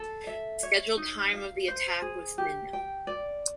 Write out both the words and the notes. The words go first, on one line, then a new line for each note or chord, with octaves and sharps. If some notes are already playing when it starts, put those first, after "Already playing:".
The scheduled time of the attack was midnight.
Already playing: A4
E5
C#5
D#4
F5
C5
G#4
G4
G5
D5